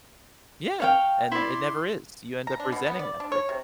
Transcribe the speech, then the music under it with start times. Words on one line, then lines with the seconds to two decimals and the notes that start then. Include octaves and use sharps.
Yeah, and it never is. You end up resenting that person.
0.80 C#5 F5 G5
1.32 E4 D5 C6
2.47 A#5
2.60 D4
2.72 B2
2.86 B3
2.99 D5
3.20 D4
3.32 C#5
3.49 C3